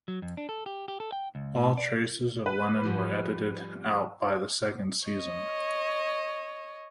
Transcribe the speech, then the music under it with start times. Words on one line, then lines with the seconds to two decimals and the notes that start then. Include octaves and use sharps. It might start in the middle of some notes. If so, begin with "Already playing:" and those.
All traces of Lennon were edited out by the second season.
0.08 F#3
0.22 F2
0.37 D4
0.49 A4
0.66 G4
0.88 G4
1.00 A4
1.12 G5
1.35 C#2
1.56 A2
1.78 D5
2.46 B4
2.83 G#2 F3 G3
5.06 C#5 D#5